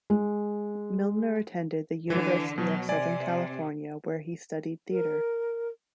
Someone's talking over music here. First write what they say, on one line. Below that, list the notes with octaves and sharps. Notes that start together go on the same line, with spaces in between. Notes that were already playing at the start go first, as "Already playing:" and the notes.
Milner attended the University of Southern California where he studied theater.
G#3
D3 E3
B2 F#3
C3 D5 G#5
A#4